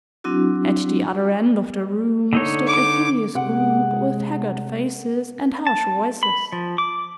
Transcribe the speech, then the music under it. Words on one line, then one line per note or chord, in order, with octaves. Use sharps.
At the other end of the room stood a hideous group with haggard faces and harsh voices.
F#3 C4 D4 E4 F#4
D3 D#4 C#5
D6
C3 G#3 F#5
A5
B5
F3
D6